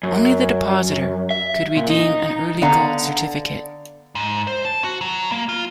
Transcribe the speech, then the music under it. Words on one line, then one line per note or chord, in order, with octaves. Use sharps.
Only the depositor could redeem an early gold certificate.
F#2
E5
A#2
D#4
D3 B3 D5 F5 F#5 A#5
G#2
C5
A5
F#4
F#3
A#3
F4